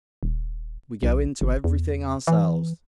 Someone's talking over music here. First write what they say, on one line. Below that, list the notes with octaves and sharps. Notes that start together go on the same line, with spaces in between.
We go into everything ourselves.
D#1
B1
G1
E2
E3